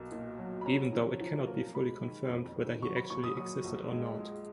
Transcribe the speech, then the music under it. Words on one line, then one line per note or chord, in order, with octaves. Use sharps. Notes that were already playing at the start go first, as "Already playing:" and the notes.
Even though it cannot be fully confirmed whether he actually existed or not.
Already playing: B1 A#3
A#2
F#3
B5
C#4 A#5
F3
F3
A#3
G#3 B5
D#3
F2
D#3
F#3 C#6
B5
A#2 C#6
D#6
F#3 D#6
A#1
G#3
G#3